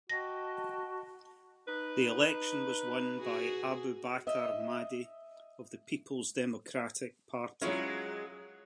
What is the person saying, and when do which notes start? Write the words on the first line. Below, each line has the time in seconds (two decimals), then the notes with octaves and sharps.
The election was won by Abubakar Mahdi of the Peoples Democratic Party.
0.10 F#4 D#5 G5 A5 A#6
1.68 D#4 B4
3.20 F#4 G#4
4.27 D#5 E5
7.61 F#3 G#3 C#4 E4 F4